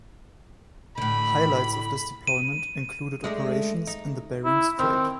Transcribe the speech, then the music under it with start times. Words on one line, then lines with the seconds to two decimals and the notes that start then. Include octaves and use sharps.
Highlights off this deployment included operations in the Bering Strait.
0.98 A2 D3 B5
1.75 B5
2.27 D#7
3.24 G#3 A3 D4
3.87 D#4
4.45 E4
4.79 D#3 C4